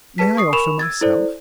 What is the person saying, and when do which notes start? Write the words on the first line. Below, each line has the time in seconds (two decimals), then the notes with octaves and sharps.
"May I offer myself?"
0.18 G#4 B4 A5 B6
0.37 C#6 D#6 C7
0.53 A#4 G#5 B5 C#6 E7 F7
0.79 E6 G#6 A6
1.01 E4 A4 C5 D5